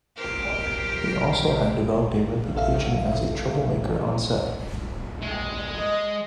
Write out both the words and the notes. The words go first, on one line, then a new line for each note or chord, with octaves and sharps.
He had also developed a reputation as a troublemaker on set.
G4 A#4 C5
A#1 A4 E5 F5
G#3
D#5